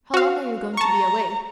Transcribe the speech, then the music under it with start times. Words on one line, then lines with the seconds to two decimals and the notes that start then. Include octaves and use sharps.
"How long are you going to be away?"
0.14 F#4 F5
0.77 A5 A#5 C#6